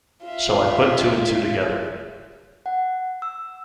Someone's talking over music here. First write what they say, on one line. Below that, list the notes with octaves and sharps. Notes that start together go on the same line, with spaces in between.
So I put two and two together.
F4 E5
F#5
E6